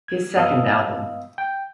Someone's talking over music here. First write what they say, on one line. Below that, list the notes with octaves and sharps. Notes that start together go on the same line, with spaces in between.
His second album.
G#6
G2 B3 D#5 F5 D#6 E6
G5